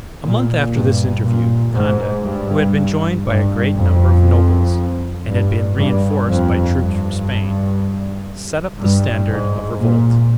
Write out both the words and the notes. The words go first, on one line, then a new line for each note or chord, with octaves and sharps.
A month after this interview, Conde, who had been joined by a great number of nobles, and had been re-enforced by troops from Spain, set up the standard of revolt.
A#2
G2
A#2
G#2
G2
G2
F2
G2
G2
F2
G2
G2
G#2
A#2